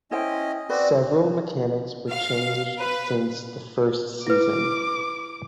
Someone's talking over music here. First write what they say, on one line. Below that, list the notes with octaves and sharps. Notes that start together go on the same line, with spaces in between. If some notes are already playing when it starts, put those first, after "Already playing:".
Several mechanics were changed since the first season.
C#4 E4 C5 D#5 G5
C4 F#4 B4 D5
F5
B4
E4 B4 D6